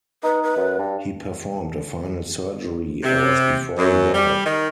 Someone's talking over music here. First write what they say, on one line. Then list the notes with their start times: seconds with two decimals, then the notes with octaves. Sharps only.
He performed a final surgery hours before he died.
0.23 D#4 B4
0.43 B4
0.56 F#2
0.79 G2
3.02 C3
3.75 F#2
4.13 G3
4.45 D#3